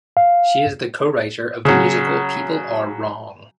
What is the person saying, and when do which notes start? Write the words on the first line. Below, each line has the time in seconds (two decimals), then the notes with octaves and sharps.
She is the co-writer of the musical People Are Wrong!
0.17 F5
1.65 C#3 F#3